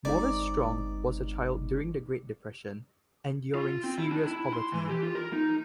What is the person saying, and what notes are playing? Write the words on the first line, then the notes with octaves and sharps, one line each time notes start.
Maurice Strong was a child during the Great Depression, enduring serious poverty.
G1 G#3 C4 D#4 D5
F4
C4
E4
D4
E4
C6
E3
G4
F4
A#4
D#4